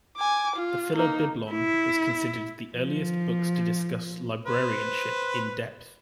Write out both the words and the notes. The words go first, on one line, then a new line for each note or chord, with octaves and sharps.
The "Philobiblon" is considered the earliest books to discuss librarianship in-depth.
G#5 D6
F4
A#3 D#4
E4
F3
B4 C5